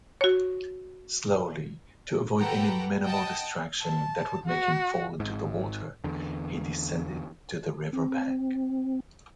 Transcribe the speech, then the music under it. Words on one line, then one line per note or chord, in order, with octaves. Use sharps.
Slowly, to avoid any minimal distraction that would make him fall into the water, he descended to the riverbank.
F#4 C#5
G4 A4 B4 F#5 G5 A#5
D#5 F#5 G5 A5 D#6
A5
F#4
G#1 G#2
E2 D3
C4